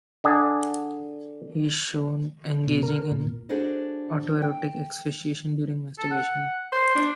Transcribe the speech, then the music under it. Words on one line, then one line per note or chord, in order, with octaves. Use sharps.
He is shown engaging in autoerotic asphyxiation during masturbation.
D3 D4 G#4
B2
A#4
A#2
D4 F#4 G#4 A4 C5 D#5
G5
A4
F#5
C5 C6
D4